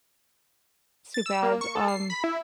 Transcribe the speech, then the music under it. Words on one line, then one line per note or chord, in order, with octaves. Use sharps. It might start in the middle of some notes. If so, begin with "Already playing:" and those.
too bad. Um,
A6
E6
A#3
C#6
A4
C7
B5
E4